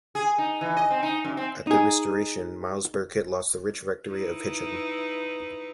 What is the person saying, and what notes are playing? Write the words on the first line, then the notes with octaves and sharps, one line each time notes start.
At the Restoration, Miles Burkitt lost the rich rectory of Hitcham.
G#4
D#4
E3
D#5
C4
D#4
F#2
C4
D#4 G#4
D#4 E4 B4